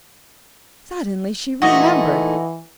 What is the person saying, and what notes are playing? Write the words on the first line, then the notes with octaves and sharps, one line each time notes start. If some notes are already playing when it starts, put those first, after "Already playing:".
Suddenly she remembered.
A#2 E3 A3 D#4 F#4 D#5